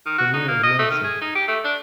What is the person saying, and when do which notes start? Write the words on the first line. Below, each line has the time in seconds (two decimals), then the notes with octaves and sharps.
Then where is Nancy?
0.06 D#3
0.18 F#4
0.33 D#4
0.48 A#3
0.63 D#5
0.79 A3
0.90 D#3
1.04 G#4
1.21 D#4
1.35 G4
1.48 A3
1.64 D4